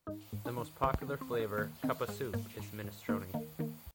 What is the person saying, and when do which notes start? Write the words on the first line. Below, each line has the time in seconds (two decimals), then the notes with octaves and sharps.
The most popular flavour "Cup A Soup" is Minestrone.
0.07 G#2 D#4
0.33 G#2
0.45 C#4
0.58 D#3
0.83 D#3 C4
1.01 C4
1.08 D#3
1.21 C4
1.33 D#3
1.39 C#4
1.58 D#3 A#3
1.84 D#3 C4
2.08 G#2 G#3
2.33 G#2 A#3
2.59 G#2
2.84 G#2
3.09 D#3 A#3
3.34 D#3 A#3
3.59 D#3 A#3